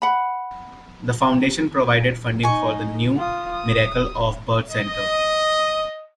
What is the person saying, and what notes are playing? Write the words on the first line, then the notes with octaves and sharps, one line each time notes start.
The foundation provided funding for the new Miracle of Birth center.
F#5 B5
D#4 D#5 G#5 C#6
F4 D#6
D#6
D#5